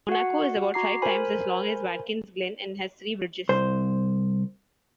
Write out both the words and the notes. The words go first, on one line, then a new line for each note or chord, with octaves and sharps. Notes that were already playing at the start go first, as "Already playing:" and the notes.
Monaco is about five times as long as Watkins Glen, and has three bridges.
F#4 F#5
F#4 A#5 D6 C7
A#4 C5 G#5 B5
C2 C5